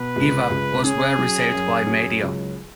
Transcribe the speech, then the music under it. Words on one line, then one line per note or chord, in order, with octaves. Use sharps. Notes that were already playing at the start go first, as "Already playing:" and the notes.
Eva was well received by media.
Already playing: B2 B4
C#2
C#2
C#4 G#4
F#3
F#2
F#3
C#2